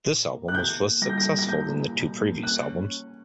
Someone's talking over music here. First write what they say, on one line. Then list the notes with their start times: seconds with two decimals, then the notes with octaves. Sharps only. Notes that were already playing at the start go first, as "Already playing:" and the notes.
This album was less successful than the two previous albums.
0.09 A#2
0.31 A#3
0.48 F#6
0.55 B2 G6
0.78 A#3
1.02 G3 A#6
1.10 G6
1.18 A#6
1.26 G3
1.39 A#6
1.48 A#3 G6
1.72 G3
1.95 B2
2.20 A#3
2.43 C#4 F#6
2.67 C#4
2.89 C#4